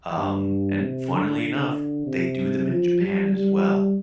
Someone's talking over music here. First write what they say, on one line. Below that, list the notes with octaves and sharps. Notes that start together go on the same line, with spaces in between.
um, and funnily enough, they do them in Japan, as well.
G2
C3
D3
D3
C3
F3
G3
G3